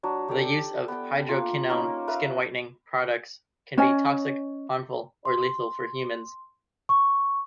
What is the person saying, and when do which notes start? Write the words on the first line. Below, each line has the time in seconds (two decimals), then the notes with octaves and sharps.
The use of hydroquinone skin-whitening products can be toxic, harmful or lethal for humans.
0.03 F#3 D4
0.28 G4 A4 D5
0.88 B3 G5
1.29 A#3 F4
1.70 A#3 C#4 D#4 A#4
2.08 A#4 B4 E5 F5
3.78 C#4 C#5 D#5 G#5
5.25 C6
6.89 C#6